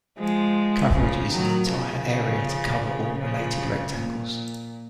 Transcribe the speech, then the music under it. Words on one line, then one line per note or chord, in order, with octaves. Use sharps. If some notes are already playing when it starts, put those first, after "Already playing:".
Coverage is the entire area to cover all related rectangles.
F3 G#3
C#3 F3
D#3 F#3
C#3 F3
C#3 F3
A#2